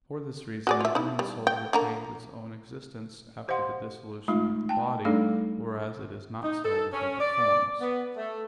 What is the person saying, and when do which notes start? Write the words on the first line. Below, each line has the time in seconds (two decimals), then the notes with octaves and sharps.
For this reason the human soul retains its own existence after the dissolution of the body; whereas it is not so with other forms.
0.67 F#4 G#4 D5
0.80 F4 E5
0.95 D#4 E4
1.19 G3
1.47 G5
1.73 D3 A#3 A#5
3.48 G4 C5 D#5 F5 F#5 C6
4.28 G#3 A3 D#4 F4
4.69 G5 A5
5.05 G3 A3 D4 D#4 A4 F5
6.42 D#4
6.64 A4
6.91 C#4
7.19 D5
7.80 B3
8.16 A3